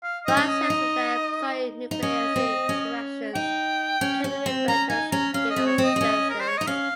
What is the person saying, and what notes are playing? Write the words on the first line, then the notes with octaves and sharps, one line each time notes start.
Biosensors that employ nucleic acid interactions can be referred to as genosensors.
F5
D#4 D#5
C#4
D#5
D#4
D#4
C#4 D#5
C4
C#4
D#4 G5
C#4
C#4
C4
C#4 A#5
D#4 G#5
C#4 A#5
C#4 F5
D#5
C4
C#5
C4
D#5
C4
C#4
A#4
C5
C#5
D#4 D#5
C#4 F5